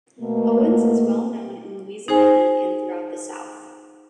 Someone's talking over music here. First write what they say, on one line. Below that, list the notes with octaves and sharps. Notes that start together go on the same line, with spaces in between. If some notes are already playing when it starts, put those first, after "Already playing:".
Owens is well known in Louisiana and throughout the South.
B2 A3 A#3
D#4 G#4 C5 G#5